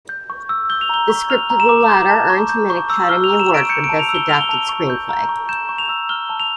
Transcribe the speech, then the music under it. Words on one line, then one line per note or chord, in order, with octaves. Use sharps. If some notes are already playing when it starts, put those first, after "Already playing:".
The script of the latter earned him an Academy Award for Best Adapted Screenplay.
G6
C#6
E6
G6 G7
F7
A#5 G7
C#6
F6 F7
A#5
E7
D6
G6
A5
C#6
G6
C#6
E6
F6 G7
F7
A#5
E7
C#6 D7
G6 C#7
D7
A5
F7
E6
G7
F6 F7
G7
A5 F7
C#6
G6
A#5
C#6
G6 E7
C#6
F7
E6
F6 G7
A5
F7